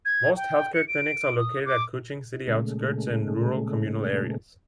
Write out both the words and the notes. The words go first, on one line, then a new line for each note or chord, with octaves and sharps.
Most healthcare clinics are located at Kuching city outskirts and rural communal areas.
G#6
G5
C#7
D7
D#6
D6
A#2 C#3 G#3 A3